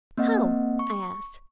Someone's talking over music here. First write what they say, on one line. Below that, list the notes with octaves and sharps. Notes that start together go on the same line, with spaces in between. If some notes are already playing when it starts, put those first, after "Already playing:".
"How?" I asked.
A#3 C4 D#5 F#5
C#6